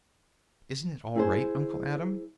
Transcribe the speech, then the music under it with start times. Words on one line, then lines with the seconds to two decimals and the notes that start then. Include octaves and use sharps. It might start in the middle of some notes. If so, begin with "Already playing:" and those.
"Isn't it all right, Uncle Adam?"
1.16 E4 G#4 C5